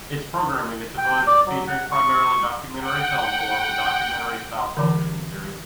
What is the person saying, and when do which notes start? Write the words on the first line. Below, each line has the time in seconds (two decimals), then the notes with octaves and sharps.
Its programming is devoted to featuring primarily documentary films along with documentary-style television series.
0.98 G5
1.27 D5
1.46 F#3
1.67 F#5
1.91 C#6
2.79 F#5 G5
4.77 D3 E3